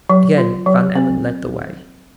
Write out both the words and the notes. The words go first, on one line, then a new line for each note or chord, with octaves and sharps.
Again Van Emmon led the way.
F#3
F4
F#3
C4